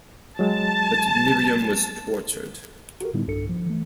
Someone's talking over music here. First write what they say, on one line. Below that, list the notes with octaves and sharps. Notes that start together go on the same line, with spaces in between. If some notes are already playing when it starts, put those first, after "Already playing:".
But Miriam was tortured.
F#3 G#3 A5
F#4 G4 A4 A#4
A2 D3 G3 B3 D#4 E4
B1 G2 D4 A4 C#7
F3
E3 A3